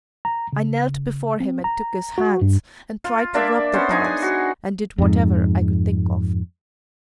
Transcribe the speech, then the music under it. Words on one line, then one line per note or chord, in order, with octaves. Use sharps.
I knelt before him and took his hands, and tried to rub the palms, and did whatever I could think of.
A#5
C#3
C4
A#5
F#4
G2
F4
A#3 D4 D5 E5
B3 C#4 C5
D4 D#4 G#5
G#4
F#4
F2 G#2